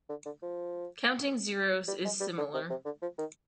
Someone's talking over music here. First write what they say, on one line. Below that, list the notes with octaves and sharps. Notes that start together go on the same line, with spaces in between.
Counting zeros is similar.
D3
D3
F3
G3
G#3
G3
D3
C3
C3
D3
F3
D#3